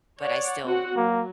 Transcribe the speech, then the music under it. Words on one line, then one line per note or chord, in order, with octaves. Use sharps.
But I still
C#5 D5 F#5
C4 F#4 F#5
F#3 A#3